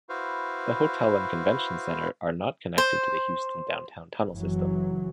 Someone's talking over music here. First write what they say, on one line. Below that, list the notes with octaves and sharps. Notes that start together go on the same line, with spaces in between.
The hotel and convention center are not connected to the Houston downtown tunnel system.
E4 F#4 B4 C5 F5
C5
F#1 E3 F#3